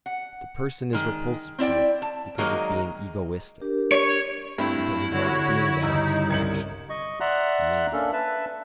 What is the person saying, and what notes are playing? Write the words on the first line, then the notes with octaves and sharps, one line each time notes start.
The person is repulsive to it because of being "egoistic," because of not being that abstraction, Man.
F#5
D#3 G#3
C4 E4 D5 G5
A5
D#3 F#3 G#3 A#3 D#4
D4 G4 A#4
C#5
G2 A3 C4 E4
D3 F#4 C#5
G2 C#3 D#4 A#5 E6
C2 G#6 C#7 F#7
D#5 C#6
D5 E5 F#5 A#5 C6 F#6
A#3 C#4 D4 A4
B4 E5 A5